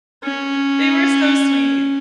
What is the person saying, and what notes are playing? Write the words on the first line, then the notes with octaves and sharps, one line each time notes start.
They were so sweet.
C#4